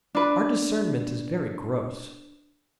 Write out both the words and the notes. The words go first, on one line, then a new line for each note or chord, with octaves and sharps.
Our discernment is very gross.
D4 B4